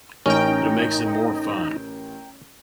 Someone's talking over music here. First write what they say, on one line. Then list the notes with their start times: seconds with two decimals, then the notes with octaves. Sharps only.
But it makes them more fun!
0.26 A1 C#4 D#4 A#4 G5